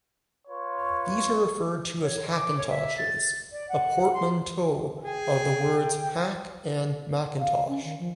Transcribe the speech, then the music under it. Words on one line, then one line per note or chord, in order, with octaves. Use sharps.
These are referred to as Hackintoshes, a portmanteau of the words "hack" and "Macintosh".
F4 B4 C#5
C#5
D6
C#5
E5
A6
D5
F#5
C6
G#4 G5
F5
C#4
D#3
F3